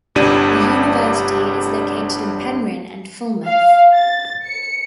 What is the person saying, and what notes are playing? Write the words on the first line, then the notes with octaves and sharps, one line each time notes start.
The university is located in Penryn and Falmouth.
G1 C2 G3 D4 D#7
F5
A6
C#7